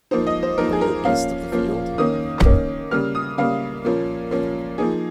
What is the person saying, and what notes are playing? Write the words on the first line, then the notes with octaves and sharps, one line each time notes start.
Are you a beast of the field?
F3 A#3 D#4 C5
D#5
C5
F3 A#3 D#4 A#4
G#4
A#4
F3 A#3 C#4 F5
F3 A#3 C#4
D#3 A#3 C#4 D#6
D#3 A#3 C#4
C#3 G3 A#3 F6
D#6
C#3 G3 A#3 F5
A#2 F3 A#3 C#4
A#2 F3 A#3 C#4
F3 A#3 D#4 G#4